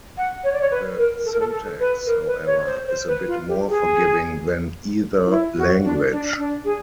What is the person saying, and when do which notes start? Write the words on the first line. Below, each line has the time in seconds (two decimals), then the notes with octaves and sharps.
The syntax, however, is a bit more forgiving than either language.
0.18 F#5
0.44 C#5
0.53 D5
0.61 C#5
0.71 B4
0.98 A#4
1.25 A4
1.32 A#4
1.40 A4
1.52 A4
1.80 B4
2.06 A#4
2.27 B4
2.46 C#5
2.66 C5
2.88 C5
3.07 B4
3.28 F4
3.48 G4
3.69 G#4
5.26 F4
5.30 E4
5.58 F#4
5.84 D4
6.11 D4
6.38 D4
6.65 G#4